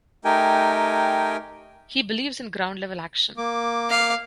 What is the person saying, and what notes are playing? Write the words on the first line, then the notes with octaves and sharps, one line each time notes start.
He believes in ground level action.
A3 D#4 G4 A#4 G5 G#5
A#3 D6
F5